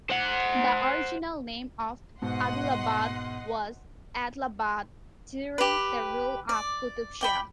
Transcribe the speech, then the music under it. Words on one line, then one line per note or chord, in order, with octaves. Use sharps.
The original name of Adilabad was Edlabad during the rule of Qutub Shahis.
C5 F#5
G#2 B2 D#5 F#5 C6
G4 B4
D5
D5 G5 B5